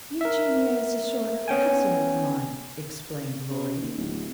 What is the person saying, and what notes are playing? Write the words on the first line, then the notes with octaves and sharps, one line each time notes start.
"Eugenia is a sort of cousin of mine," explained Lloyd.
A#4 E5
B3 C#4 G5 G#5
C#3
D#2
D1